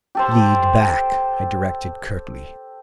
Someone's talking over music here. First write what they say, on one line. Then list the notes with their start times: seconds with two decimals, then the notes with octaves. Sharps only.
"Lead back," I directed curtly.
0.15 G4 A4 C5